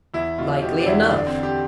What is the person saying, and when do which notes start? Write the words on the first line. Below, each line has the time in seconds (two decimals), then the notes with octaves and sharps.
Likely enough.
0.14 E2 E4
0.38 B2 F4
0.62 B2 G4
0.80 D4
0.86 E2 E4
1.11 D3 D4
1.27 C4
1.35 D2
1.43 G4